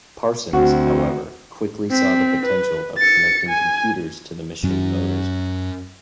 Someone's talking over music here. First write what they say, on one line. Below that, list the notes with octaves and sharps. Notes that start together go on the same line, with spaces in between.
Parsons, however, quickly saw the potential of connecting computers to the machine motors.
D2 C4 F#4
C4 B6
B4
A6 C#7
G#5
F#2 F#3 C#4